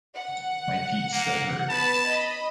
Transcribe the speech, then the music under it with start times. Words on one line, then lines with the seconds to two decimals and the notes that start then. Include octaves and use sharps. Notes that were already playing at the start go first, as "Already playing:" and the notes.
My feet still hurt.
0.15 F#5
1.13 A#3
1.69 B3 B4 A5 B5
2.05 D#5 B5